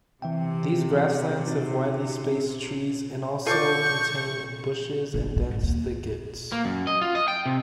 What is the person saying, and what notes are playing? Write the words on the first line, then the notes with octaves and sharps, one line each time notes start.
These grasslands have widely spaced trees and also contain bushes and dense thickets.
C3 E3 E5 G5
C4 D#4 F#4
F4 A4 C#5 D5 A5 C#6 G6
G1
G#2
D#2
A#3
F#2
D#5
F4
D#5
G5
C3